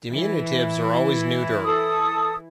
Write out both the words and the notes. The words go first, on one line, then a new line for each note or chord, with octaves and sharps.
Diminutives are always neuter.
E3 E4
A4 D#6